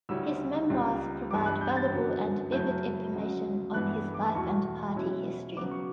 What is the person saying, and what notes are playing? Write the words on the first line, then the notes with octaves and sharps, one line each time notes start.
His memoirs provide valuable and vivid information on his life and party history.
D2 C#3 G3 C#4 E4 E6
C#2 C#3 G3
G2 E3 G3 B3 D6
F#6
G6
A6
F#2 D3 F#3 B3
F#2 C#3 F#3 A3 E4 G6
D2 C#3 F#3
G2 E3 B3 F#6
D6
E2 B2 A3 E4 C#6
B2 F#3 C#4 E4
C#3 F#3 B3 D6
C#6